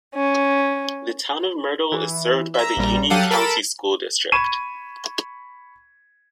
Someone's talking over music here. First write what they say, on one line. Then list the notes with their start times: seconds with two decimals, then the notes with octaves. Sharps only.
The town of Myrtle is served by the Union County School District.
0.14 C#4
1.92 E3
2.54 E5 A#5
2.77 A#1 A#2 G3 A#5
3.10 F#3 G4 A4 F5 F#5 D#7
3.30 A4 A#4 B5 A6 D7 E7
4.32 B5 C#6 G#6 D#7 E7